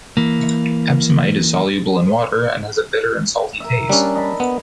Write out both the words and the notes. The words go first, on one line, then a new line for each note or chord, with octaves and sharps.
Epsomite is soluble in water and has a bitter and salty taste.
E3 A#3
A#4 E5
G3 C#4 D4
D#5 A5 B5
B3